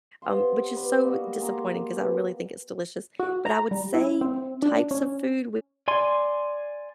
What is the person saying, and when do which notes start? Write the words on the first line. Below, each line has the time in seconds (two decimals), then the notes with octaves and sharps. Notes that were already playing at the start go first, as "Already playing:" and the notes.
um, which is so disappointing, 'cause I really think it's delicious, but I would say types of food
0.22 C3 B3 F5 C6
0.76 B4 D5 B5
1.03 G3 A#3 D#4 F#4
1.41 G#3 A#5 C6 D6
1.94 B2 G4
3.19 F#4
3.46 A#5
3.71 G3
3.94 E4
4.21 C4
4.62 D4
4.91 C#4
5.88 D5 G#5 C6